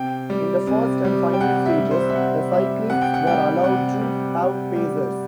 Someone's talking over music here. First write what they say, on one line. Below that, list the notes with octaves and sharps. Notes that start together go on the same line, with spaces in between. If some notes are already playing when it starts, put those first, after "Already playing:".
In the first and final stages, the cyclists were allowed to have pacers.
Already playing: C3 G5
G3
C3
G3
G5
C3 F#5
E5
G3
C5
E5
C3 F#5
G3 E5
C3 F#5
G5
F#5
G3 G5
C3 F#5
G3
C3
G3